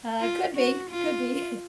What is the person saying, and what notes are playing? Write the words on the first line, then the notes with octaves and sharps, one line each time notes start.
Ah, could be could be,
F4
F#4
F4